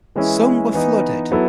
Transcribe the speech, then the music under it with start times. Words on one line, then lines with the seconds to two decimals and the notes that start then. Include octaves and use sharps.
Some were flooded.
0.15 E3 G#3 C#4 E4 G#4
0.74 E3 B3 D#4
1.31 F#3 B3 E4 A4